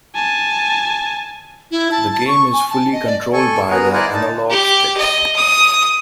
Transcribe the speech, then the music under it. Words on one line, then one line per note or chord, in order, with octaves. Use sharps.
The game is fully controlled by the analog sticks.
G#5 A5
E4
A5
A5
C#6
G#5
A5
D#5
D5
A4 G#5 C#6
B3 F#4 G#4 A#4
E4 A#4 C5 D5 F#5 G#5
D#4 A5
G4
D#5
D#6